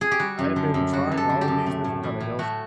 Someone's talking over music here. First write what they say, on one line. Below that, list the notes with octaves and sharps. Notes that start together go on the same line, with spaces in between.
I had been trying all these different kind of health st
G#4
G4
G3 F#4
F#2
D3
F#2
G3 F#4
F#2
A4
D3
G4
F#2
A3
A2
E3
A2
A3 F#4